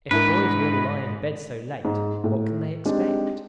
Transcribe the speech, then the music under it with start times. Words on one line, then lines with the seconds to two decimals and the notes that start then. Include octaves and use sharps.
"If boys will lie in bed so late, what can they expect?"
0.11 G#2 D4 E4 A#4 B4
1.85 G#2
2.24 A2
2.85 G#3 C4 D4 D#4 G4